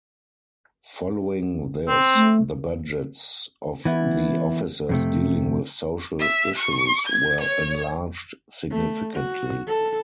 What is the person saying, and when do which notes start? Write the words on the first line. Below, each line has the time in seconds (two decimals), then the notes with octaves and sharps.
Following this, the budgets of the offices dealing with social issues were enlarged significantly.
1.88 C4
2.15 A3
3.85 E3 B3 E4
4.89 F2 C3 A3
6.19 E5
6.57 C#6
7.06 G#6
7.40 C#5
8.71 A3
9.14 F#4
9.67 A4